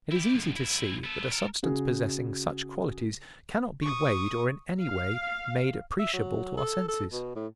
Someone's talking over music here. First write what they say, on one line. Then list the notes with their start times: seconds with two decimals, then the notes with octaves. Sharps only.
It is easy to see that a substance possessing such qualities cannot be weighed or in any way made appreciable to our senses.
0.11 E4 G4
0.34 C#2 F#2
0.56 F2 E4
1.04 B3 A4
1.32 A4 A#4
1.63 C#3 F#4 G#4
3.82 C#6 D#6
4.83 F5
5.99 E5
6.13 F#3
6.57 A4
6.88 A4
7.12 B2
7.35 A2